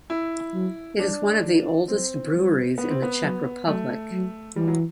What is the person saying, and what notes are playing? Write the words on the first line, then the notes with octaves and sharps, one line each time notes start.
It is one of the oldest breweries in the Czech Republic.
E4
F#3
G3 D4
E3
F#3 C4
G3
B3
C4
B3
F#3
F#3 A3
F#3
E3 G3
F#3